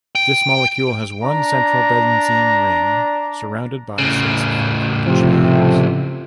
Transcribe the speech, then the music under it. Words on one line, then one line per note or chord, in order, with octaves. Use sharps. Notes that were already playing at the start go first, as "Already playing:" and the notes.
This molecule has one central benzene ring surrounded by six alkyl chains.
G5
D4 D5 A#5
A2 C#3
C3 F3 A3 C4